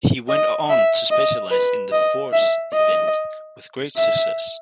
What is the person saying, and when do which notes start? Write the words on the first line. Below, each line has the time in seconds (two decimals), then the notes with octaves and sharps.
He went on to specialize in the "Fours Event" with great success.
0.29 D#5
0.70 E5
1.11 D#5
1.51 B4
1.92 D#5
2.33 E5
2.74 D#5
3.96 E5